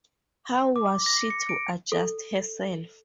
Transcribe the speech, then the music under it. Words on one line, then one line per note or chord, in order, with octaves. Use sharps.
How was she to adjust herself?
D6
A#6
C#7
D7
A4